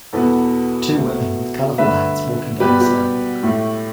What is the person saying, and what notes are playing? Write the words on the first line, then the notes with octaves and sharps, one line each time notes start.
Two women with colorful hats walking down a sidewalk.
E2 B2 B3 A4
B2 A3
G2 D3 A3 B4 E5
B2 G3 B3 G4 B4
G4
A2 A3